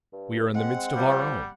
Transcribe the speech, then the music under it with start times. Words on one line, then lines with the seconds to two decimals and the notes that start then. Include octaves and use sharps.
We are in the midst of our own.
0.13 G2
0.55 G#3 C4 F#5
0.96 F3 G3